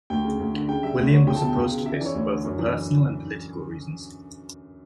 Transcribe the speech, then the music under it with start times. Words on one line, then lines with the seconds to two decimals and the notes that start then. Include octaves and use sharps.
William was opposed to this both for personal and political reasons.
0.10 D2 G5
0.24 C#3
0.39 D2
0.54 D3
0.68 C#3 G5
0.83 G3 E5
0.98 D2
1.12 D3 C#5
1.27 C#2 G5
1.37 A5
1.42 B2 G5
1.56 C#2
1.71 C#3
1.86 C#3 E5
1.96 D5
2.01 E3 C#5
2.15 D2 C#5
2.29 D3
2.44 F#2
2.59 E3